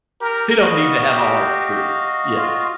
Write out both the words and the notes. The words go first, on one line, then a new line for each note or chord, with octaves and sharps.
they don't need to have a harsh truth, yeah.
G4 A#4
B3 F#4 D#5 F5
G4
F4